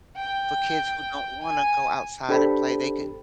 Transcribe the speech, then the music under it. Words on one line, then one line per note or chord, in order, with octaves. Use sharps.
for kids who don't want to go outside and play, they could
G5
G#5
D4 G4 A4 C5 G5 B5